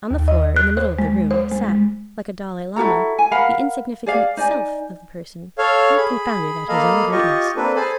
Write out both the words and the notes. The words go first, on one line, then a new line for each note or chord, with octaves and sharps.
On the floor, in the middle of the room, sat, like a Dalai-Lama, the insignificant "Self" of the person, quite confounded at his own greatness.
D#2
D#5
F#6
C5
G#3
C5
G#3
G#3
E4 F#4 A4 A#5
G#5
A#4 F5 F#5 B5
G#4 D5 F5
D#4 D5 G#5
A4 C#5 F5
G#4 B5
A#3 A4 D#5 F5 B5
F4 G4 D#5 C#6
A#3 C4 D4 A4 B4
G#4 A4 C5 G#5 A5 B5